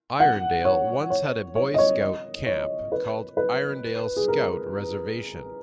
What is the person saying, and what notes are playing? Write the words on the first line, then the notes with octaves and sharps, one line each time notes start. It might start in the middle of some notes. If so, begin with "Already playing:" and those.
Irondale once had a Boy Scout camp, called Irondale Scout Reservation.
F#5
C#5
C#5
C#5
D#5
C#5
D#5
C#5
B4
B4
G#4
A#4